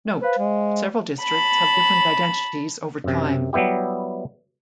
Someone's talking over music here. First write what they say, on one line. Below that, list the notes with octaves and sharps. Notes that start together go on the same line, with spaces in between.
Note: several districts have different identities over time.
B4 C5 F5
G#3
A5 B5
F#2 C3
F#3 G3 B3 E4 G4